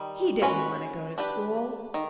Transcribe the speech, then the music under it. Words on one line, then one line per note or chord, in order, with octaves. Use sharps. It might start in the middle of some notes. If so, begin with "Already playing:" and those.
He didn't want to go to school.
Already playing: D#3 G3
G#3 C#4 F#4 B4
D4 G4 B4
D#3